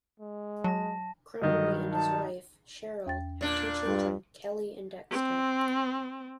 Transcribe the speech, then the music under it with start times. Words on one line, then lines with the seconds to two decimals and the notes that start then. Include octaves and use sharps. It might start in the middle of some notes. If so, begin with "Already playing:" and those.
Krumrie and his wife, Cheryl, have two children, Kelly and Dexter.
0.20 G#3
0.64 F#3 A5 A#6
1.42 G2 D#3 F#3 D#5
1.93 D#4 A5
3.06 E2 G5 A6
3.41 A#2 D4
3.86 G2 G3 F4
5.11 C4